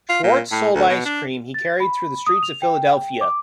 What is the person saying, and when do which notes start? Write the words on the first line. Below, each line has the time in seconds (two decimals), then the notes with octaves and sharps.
Schwarz sold ice cream he carried through the streets of Philadelphia.
0.09 F4
0.23 A#2
0.51 A2
0.75 D2
0.89 B2
1.05 D4
1.54 A6
1.80 B5
2.27 D#6
2.43 F7
2.62 G5
3.21 D6